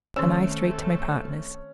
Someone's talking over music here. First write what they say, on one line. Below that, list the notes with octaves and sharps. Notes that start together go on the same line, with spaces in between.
"And I straight to my partner's."
D#3 A3 C4 C#4 A4 G#5 E6